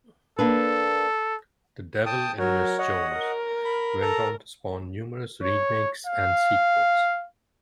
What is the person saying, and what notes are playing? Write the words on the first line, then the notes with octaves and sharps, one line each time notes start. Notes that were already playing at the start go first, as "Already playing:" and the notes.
"The Devil in Miss Jones" went on to spawn numerous remakes and sequels.
A#3 D4 A4 B4
G5 A5 D#6
F#3 A#4 C#5
C#5 D#5 F#5
A#4
B5
A4 A#5
C#5
F5